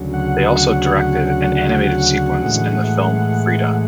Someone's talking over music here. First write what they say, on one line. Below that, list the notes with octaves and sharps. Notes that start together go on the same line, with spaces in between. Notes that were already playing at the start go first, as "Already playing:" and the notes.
They also directed an animated sequence in the film Frida.
Already playing: D2 C#3 F#3
F#5
F#5
A2 E3 G#3